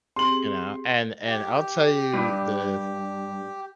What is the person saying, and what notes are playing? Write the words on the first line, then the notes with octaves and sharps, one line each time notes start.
you know, and and I'll tell you the
C4 G4 G#4 C6 F#7
G4
G2